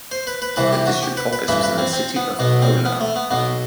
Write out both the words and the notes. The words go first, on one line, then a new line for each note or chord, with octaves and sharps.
The district office was in the city of Ohlau.
C5
B4
B4
C2 C3 E3 B4
G4
F#4
G4
B4
B4
A1 G2 E3 B4
B4
C4
C4
B3
B1 B2 B3
C4
B3
A3
B3
B1 B2 B3